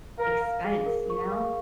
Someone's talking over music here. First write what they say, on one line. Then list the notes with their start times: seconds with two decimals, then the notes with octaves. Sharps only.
expense, you know?
0.18 A#4 F5
0.41 F5
0.64 G#4
0.86 A#4
1.10 C#6
1.32 F5